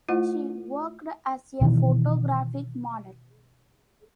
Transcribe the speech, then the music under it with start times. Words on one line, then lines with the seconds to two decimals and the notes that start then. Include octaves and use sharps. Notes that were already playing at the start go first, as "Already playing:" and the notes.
She worked as a photographic model.
0.09 A3 E4 F4 C5 D#5 F#5
1.61 B2 D#3 E3